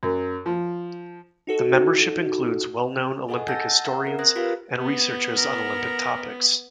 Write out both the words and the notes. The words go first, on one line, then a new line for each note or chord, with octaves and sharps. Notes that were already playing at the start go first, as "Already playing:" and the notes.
The membership includes well-known Olympic historians and researchers on Olympic topics.
F#2
F3
D#4 F#4 A4
G#4 A4 D#5 F#5 G#5
F#5 A5 E6 G6 A6 A#6
E5 F#5 A#5
C4 A#4
C5 D#6 F#6 G#6 A#6
F4 G4 A#4 B4 F5
B3
A#4